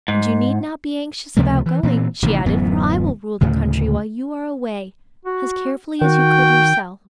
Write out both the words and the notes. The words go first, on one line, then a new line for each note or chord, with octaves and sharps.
'And you need not be anxious about going,' she added, 'for I will rule the country while you are away as carefully as you could yourself.'
G#2
C#2 C3 F3 A3
E3
A#2 E3 B3 C4
A1 C3 D#3
D1 F#2 E3 B3
D2 A2 C#3
F#4
D#3 F#4 G5